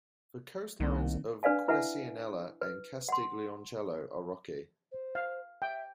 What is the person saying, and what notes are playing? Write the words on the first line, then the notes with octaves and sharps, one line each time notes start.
The coastlines of Quercianella and Castiglioncello are rocky.
C2 D#3 A#3 C4
D4 B4 D5 F5 G#5
D4 E4 B4 E5 F#5 G#5
B4
F#5 C6
C5
F5
E5 G5